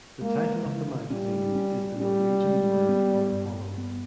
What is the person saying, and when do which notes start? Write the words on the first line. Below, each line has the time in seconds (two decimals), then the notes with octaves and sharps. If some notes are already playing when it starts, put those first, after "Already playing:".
The title of the magazine is the Norwegian word for Apollo.
0.22 G#3 A#3
0.66 C#3
1.10 G3 C#4
1.55 C#4
1.99 G3 C#4
2.45 G#3
2.89 B3
3.32 G2
3.78 B3